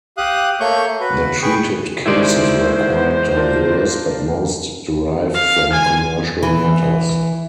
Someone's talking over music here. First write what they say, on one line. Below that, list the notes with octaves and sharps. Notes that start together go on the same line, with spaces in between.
The treated cases were quite diverse, but most derived from commercial matters.
G4 F5 D#6 F#6
A3 A#3 C#5 C#6 G6
F#4 B4
G#4 B4 G5 C#6
D#3 G#3 E4 C5 D5 C6
D4 F4 A#4
F5
G#5
E3